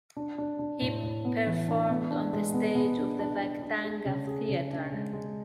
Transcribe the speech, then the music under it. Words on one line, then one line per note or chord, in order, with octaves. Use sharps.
He performed on the stage of the Vakhtangov Theatre.
D4
D4
D4
A2
A2
B3
E3
D4
B3
D4
G#3
B3
B3
D4
D4
D4
D4
G#4
C#3
G#4
C#3
D4
G#3
G#3